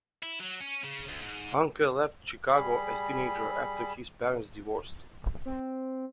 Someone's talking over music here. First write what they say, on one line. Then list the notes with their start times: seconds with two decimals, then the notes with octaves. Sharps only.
Huncke left Chicago as a teenager after his parents divorced.
0.23 E4
0.40 F#3
0.60 C#4
0.84 C#3
1.09 D2
1.23 G#2
2.52 G3 G#4 B5
5.46 C4